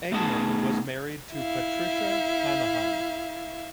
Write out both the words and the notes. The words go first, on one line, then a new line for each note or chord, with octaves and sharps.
Engman was married to Patricia Hanahan.
A3 B3 D#4 G#4 A5
E4 E5 F5